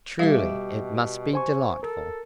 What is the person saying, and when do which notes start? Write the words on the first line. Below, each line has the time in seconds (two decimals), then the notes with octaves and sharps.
Truly it must be delightful.
0.19 B2 G3 G4 E5 F5
1.33 C5 G#5 C#6
1.83 A4 A#4